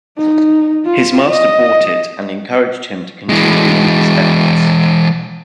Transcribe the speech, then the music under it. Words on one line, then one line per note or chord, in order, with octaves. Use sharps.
His master bought it and encouraged him to continue in his efforts.
D#4
F4
D#5
E3 G#3